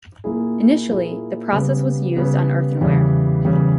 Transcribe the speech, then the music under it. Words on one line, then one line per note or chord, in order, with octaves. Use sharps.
Initially, the process was used on earthenware.
A#2 A#3 E4 G#4
A#2 A#3 E4 G#4
C#3 G3 B3
C#3 G3 B3
E2 C#3 E3 G3
E2 C#3 E3 G3